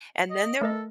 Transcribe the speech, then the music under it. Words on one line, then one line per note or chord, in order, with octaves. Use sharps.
and then there
D#5
A3 A4 A#4 D#5